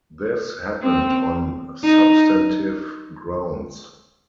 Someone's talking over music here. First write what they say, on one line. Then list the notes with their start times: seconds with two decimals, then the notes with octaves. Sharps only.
This happened on substantive grounds.
0.82 C4
1.84 D#4